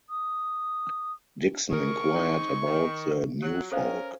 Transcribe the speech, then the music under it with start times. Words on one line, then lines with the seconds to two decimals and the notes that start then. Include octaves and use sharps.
Dickson inquired about the "new folk."
0.10 D#6
1.71 D#4 G#4 A#4 C#6
2.14 G#3 C4 D#4
2.66 D#3
3.42 F#3 F#6
3.72 C#4 A4 A#4 C5 F5